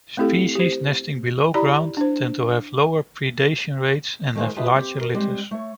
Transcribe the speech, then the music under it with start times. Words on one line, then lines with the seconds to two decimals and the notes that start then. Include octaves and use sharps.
Species nesting below ground tend to have lower predation rates and have larger litters.
0.17 A3 C4 E4 G4 A4
0.55 G4 C5
1.54 E4 G4 D5 A#5 B5
1.97 D4 C5
4.35 D#3 A3 A#3 D#4 G#4 C5
4.56 D4 F4 G4 B4 D#5 E5
4.74 C4 G4
5.01 A#4
5.15 G3 G#3 C4 G4
5.51 A3 C#5